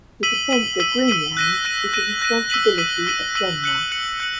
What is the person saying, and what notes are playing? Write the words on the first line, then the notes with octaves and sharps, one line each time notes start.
The defence of Greenland is the responsibility of Denmark.
E6 B6 D#7 F#7
E6 B6 D#7 F#7
E6 B6 D#7 F#7
E6 B6 D#7 F#7
F#6 A#6 D#7
F#6 A#6 D#7
F#6 A#6 D#7
F#6 A#6 D#7
E6 B6 D#7 F#7
E6 B6 D#7 F#7
E6 B6 D#7 F#7
E6 B6 D#7 F#7
F#6 C#7 F#7
F#6 C#7 F#7
F#6 C#7 F#7